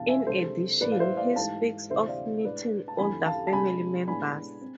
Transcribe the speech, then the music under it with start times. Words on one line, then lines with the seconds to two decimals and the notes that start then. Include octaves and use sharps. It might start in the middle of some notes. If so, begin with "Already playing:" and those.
In addition, he speaks of meeting older family members.
Already playing: E2 B2 A3 D4 F5 A5
0.08 E5 G#5
0.27 C2 C3 G#3 D4 A4 C5
0.81 A2 E3 A3 B4 D5
0.92 F5
0.99 C5 E5
1.17 D5 F5
1.36 G#2 E3 A3 F5 A5
1.90 D2 C3 E3 C5 E5
2.08 D5 F5
2.45 A2 G#3 D4 B4 D5
2.88 A5
2.98 F2 D3 A3 E4 G#5 B5
3.26 F5 A5
3.47 A5
3.53 C3 G#3 D4 G#5 B5
4.07 A2 G#3 B3 D4 G#5 B5
4.62 C4